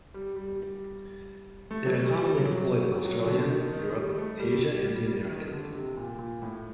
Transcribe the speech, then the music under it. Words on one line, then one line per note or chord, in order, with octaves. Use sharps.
They are commonly deployed in Australia, Europe, Asia and the Americas.
G3
G3
A3
F#3
G3
G3
F#3
F#3
D3
D#3
D#3
G3
A3
G3
G3
G3
G3
G3
G3
D#3
D3
C3
A#2
A#2
A2